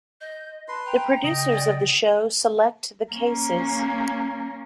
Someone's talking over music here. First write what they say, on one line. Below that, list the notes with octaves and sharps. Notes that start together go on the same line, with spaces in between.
The producers of the show select the cases.
D#5 G6
B4 A5 C6
G5 A#5
C#3 D#5
D5
A#3 C#4